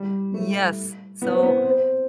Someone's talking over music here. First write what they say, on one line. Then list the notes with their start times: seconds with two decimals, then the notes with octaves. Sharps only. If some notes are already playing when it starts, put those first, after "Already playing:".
Yes. So,
Already playing: G3
0.34 A3
1.22 B3
1.32 C4
1.43 B3
1.65 C4